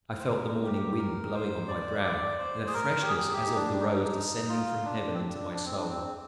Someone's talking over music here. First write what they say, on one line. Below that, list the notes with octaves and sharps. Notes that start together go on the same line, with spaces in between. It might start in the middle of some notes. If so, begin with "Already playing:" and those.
I felt the morning wind blowing on my brow and a freshness as of the rose descending from heaven into my soul.
C5
A#4
G4
A#4
C5
D5
D5
C5
G#4
A#4
G4
G#4
G4
D#4
D4
D#4
F4
D4
C4
D4
D4
C4
D4
C4